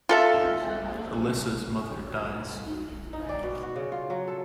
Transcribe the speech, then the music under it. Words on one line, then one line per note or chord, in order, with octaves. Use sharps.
Alicia's mother dies.
F4 A4 E5
D#4
D5
B2
F#4
C#3
F4
F#3
A4